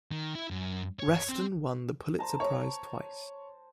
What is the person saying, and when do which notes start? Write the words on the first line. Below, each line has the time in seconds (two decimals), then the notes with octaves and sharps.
Reston won the Pulitzer Prize twice.
0.12 D#3
0.35 E4
0.50 F#2
0.99 C#5
1.29 C4
2.19 C5 A5 A#5
2.40 C#5